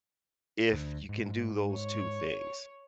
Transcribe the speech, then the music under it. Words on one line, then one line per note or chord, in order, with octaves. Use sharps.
if you can do those two things,
D2
G#2
C#5